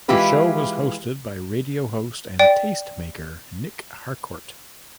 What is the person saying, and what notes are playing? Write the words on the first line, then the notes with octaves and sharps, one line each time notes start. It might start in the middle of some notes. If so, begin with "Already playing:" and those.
The show was hosted by radio host and taste maker, Nic Harcourt.
E3 G#3 E4 F4 G4 B4
D5 G5